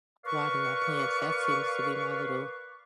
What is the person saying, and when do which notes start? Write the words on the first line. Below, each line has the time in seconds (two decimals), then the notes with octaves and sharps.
water my plants, that seems to be my little
0.25 A#4 B4 D5 F5 C#6